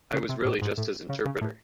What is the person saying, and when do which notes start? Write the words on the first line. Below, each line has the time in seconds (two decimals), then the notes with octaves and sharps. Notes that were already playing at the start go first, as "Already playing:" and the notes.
I was really just his interpreter.
0.13 C#3
0.29 C3
0.45 A2
0.62 G#2
0.77 A2
1.09 C#3
1.25 C#3
1.41 A2